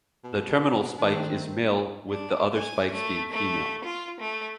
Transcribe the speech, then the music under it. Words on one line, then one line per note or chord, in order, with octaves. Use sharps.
The terminal spike is male with the other spikes being female.
B2
D#3 A3 C4 D4
D4
G#5
A3
A3
F4
A3